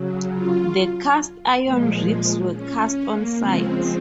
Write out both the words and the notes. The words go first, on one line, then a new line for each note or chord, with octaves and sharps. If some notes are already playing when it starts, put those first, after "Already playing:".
The cast iron ribs were cast on site.
Already playing: C#3 F#3
F4
A#2 F3 G#3
C#4
C#4
A#3
C#3 F3 G#3 C4